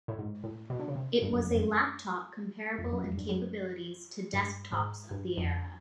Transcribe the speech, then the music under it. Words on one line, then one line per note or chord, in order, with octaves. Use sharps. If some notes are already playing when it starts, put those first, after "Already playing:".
It was a laptop comparable in capabilities to desktops of the era.
A2
G#2
A2
B2
D3
C#3
C3
G2
F#2
F2
F#2
F2
F#2
F2
G2
F#2
G2
G#2
G2
F2